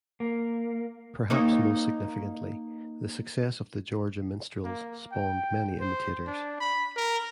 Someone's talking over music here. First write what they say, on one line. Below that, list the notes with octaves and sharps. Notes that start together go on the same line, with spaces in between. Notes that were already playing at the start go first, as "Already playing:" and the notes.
Perhaps most significantly, the success of the Georgia Minstrels spawned many imitators.
A#3
A#3 D#4 C#5
A#3
G5
C5
D4
B5
A#4